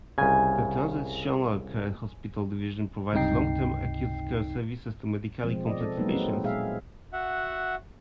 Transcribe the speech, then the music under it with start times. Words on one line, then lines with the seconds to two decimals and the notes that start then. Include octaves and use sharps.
The Transitional Care Hospital division provides long-term acute care services to medically complex patients.
0.18 C2 C#3 G#5
3.13 C#2 G2 C3 D#4 G5 C7
5.44 B2 F3 G#3 C4
5.67 D5 D#5
5.80 C4 A4
5.97 F#3 G#3 A#3 B3 D#4 B4
6.14 C4
6.44 A#2 G#3 G#4 E5 F5
7.13 F#4 E5 F#5